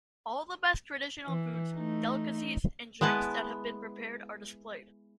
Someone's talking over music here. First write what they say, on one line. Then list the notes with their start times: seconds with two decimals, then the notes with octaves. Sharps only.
All the best traditional foods, delicacies and drinks that have been prepared are displayed.
1.26 E3
1.75 A3 D#4
3.01 G#3 B3 E4 B4 A5